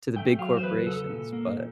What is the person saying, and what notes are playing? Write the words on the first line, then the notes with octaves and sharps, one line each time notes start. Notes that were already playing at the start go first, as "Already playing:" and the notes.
to the big corporations, but
A3 G5
F#3 F5
C5
E2 B4
C#3 A4
A#2
A#3
A#2